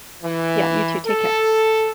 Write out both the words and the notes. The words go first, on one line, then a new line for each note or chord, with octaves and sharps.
Yeah, you too. Take care.
E3
A4